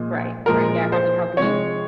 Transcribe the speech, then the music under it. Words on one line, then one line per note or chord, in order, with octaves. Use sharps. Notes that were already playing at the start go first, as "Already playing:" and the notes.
Right, right, yeah, I mean, how can you
Already playing: A#2 F3 G#3
A#2 F3 G#3 A#4
C5
C3 F3 G#3 C#5